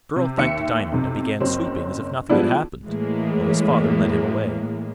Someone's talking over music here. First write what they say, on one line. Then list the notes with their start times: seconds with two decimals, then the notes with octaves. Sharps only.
The girl thanked Diamond, and began sweeping as if nothing had happened, while his father led him away.
0.16 C3
0.37 D#2 E5 C#7
0.92 B1 C3
1.40 F#1 F#3 C4
2.30 F3 G3 G#3 B3 D4 E4
2.86 A2 E3 G#3 A#3